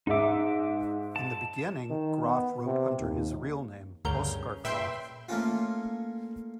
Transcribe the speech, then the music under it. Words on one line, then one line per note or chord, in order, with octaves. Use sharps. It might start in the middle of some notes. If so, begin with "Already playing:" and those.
In the beginning Graf wrote under his real name Oskar Graf.
G#2 D#4 E5 D6
A5
D#3
B3
C3
D#2
D2 G2 C#3 A#4 G6
A#2 B4 E5 G5 C6
A3 A#3 C#4 F4